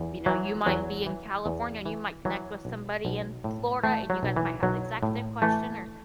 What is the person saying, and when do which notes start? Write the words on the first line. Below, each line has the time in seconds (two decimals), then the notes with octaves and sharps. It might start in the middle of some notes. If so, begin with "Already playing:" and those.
you know, you might be in California and you might connect with somebody in Florida and you guys might have the exact same question or,
Already playing: E2
0.26 E3 F#3
0.66 E2 F#3
1.06 E3
1.46 E2
1.86 E3
2.25 E3 F#3
2.65 B1
3.05 B1
3.44 A2
3.84 E3 A3
4.10 F#3
4.23 B1
4.36 E3
4.63 B1 F#3
5.03 A2
5.42 E3 A3